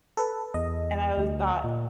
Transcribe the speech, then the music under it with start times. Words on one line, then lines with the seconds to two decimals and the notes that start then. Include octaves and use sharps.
and I w thought
0.17 A4 B4
0.54 E2 D#5
1.17 D2
1.64 A#2